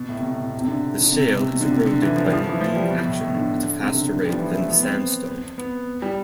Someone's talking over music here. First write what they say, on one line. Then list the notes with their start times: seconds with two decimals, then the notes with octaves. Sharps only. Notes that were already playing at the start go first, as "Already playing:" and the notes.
The shale is eroded by marine action at a faster rate than the sandstone.
Already playing: B2
0.09 A2
0.17 C3
0.23 B2
0.38 B2
0.58 C3
0.68 D3
1.00 D3
1.13 C3
1.28 B2
1.36 C3
1.42 B2
1.61 D3
1.72 C3
1.86 D3
2.02 E3
2.16 F3
2.25 G3
2.33 F3
2.50 E3
2.61 F3
2.76 G3
2.91 B2
3.05 A2
3.20 B2
3.35 D3
3.79 C3
3.95 D3
4.09 D3
4.20 B3
4.25 G3
4.30 F3
4.39 E3
4.55 A3
4.68 B3
4.83 C4
5.58 B3
6.02 G3